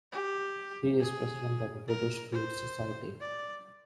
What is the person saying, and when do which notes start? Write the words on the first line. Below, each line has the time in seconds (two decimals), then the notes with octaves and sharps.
He is President of the British Flute Society.
0.12 G4
1.00 G#4
1.88 A#4
2.33 C5
3.21 D5